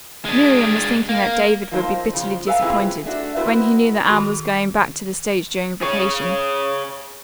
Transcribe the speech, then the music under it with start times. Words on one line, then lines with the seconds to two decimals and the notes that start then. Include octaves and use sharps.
Miriam was thinking that David would be bitterly disappointed when he knew that Anne was going back to the stage during vacation.
0.25 G#3 D4
1.09 A#3
1.71 F3 A#3 C4 D#4 A#4 C5
2.13 C#3 F3
2.47 A4 B4 E5 F5 G#5 A#5
2.62 C3 B3 C4 E4 F4 G#4
3.06 A3 D4 F#4 E5
3.37 B3 C4 E4 F#4 A#4 B4
4.05 D#3 F#4 G#4 A4 B5 C#6
5.82 G#4 C#5